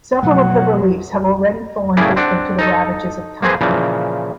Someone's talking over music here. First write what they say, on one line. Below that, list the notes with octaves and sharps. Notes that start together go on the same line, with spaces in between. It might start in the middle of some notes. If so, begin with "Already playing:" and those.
Several of the reliefs have already fallen victim to the ravages of time.
B2 F3 F#3 A3 F#5
A2 C#3 A#3 E4 G#4 D5
C4 D4 F#5
D#4 A4 D#5
A#3 C4 G#4 B4 C5
A#2 C#3 E3 F3